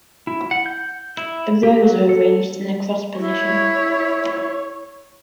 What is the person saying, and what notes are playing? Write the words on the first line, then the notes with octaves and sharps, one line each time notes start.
The rows are arranged in a cross position.
E4
F#5
G6
E4
G4
F#3
A4
E4 C#5